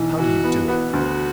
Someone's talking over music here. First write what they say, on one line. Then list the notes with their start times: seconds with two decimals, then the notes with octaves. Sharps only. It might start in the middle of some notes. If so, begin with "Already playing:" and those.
How do you do it?
Already playing: B1 E3
0.18 E3 F#4
0.44 B3
0.68 B3
0.93 D2 F#4